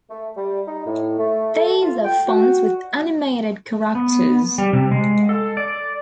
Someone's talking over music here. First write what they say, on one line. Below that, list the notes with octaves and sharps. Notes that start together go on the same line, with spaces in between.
These are fonts with animated characters.
A3
G3
D#4
A2
A3
A4
F4
G5
F#4
B3
G3
C3
G#3
A4
D5